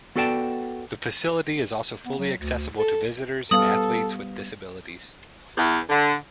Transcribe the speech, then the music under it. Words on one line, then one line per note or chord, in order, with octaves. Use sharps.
The facility is also fully accessible to visitors and athletes with disabilities.
B3 F#4 A4 D5 G5 A5
B3
F#3
D2
A4
G3 B3 A4 F5 D#6 F#7
E2
D3